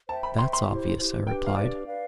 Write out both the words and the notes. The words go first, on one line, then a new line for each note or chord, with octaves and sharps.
"That's obvious," I replied.
C5 E5 G5 A5
B5
C5 E5 G5 C6
C6
E4 G4 C5
E4 G4 C5
D4 G4 B4 G5
F5
D4 G4 B4 D5
B4 D5 F5